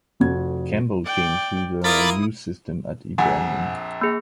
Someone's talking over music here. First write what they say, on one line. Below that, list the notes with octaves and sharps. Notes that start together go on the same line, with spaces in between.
Campbell came through the youth system at Hibernian.
F1 F2 F#4 G#6
D5 G5
E4 F4 A#4 B5 D6 D#6 A6
A#1 F2 F#5 G#5
A#3 G#4